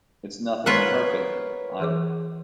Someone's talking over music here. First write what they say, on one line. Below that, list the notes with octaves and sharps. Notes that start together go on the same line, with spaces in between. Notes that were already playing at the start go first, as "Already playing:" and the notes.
It’s nothing in her favour, either.
B3 F4 A#4 B4 C#5 E5 F#5
E3 G#4 D6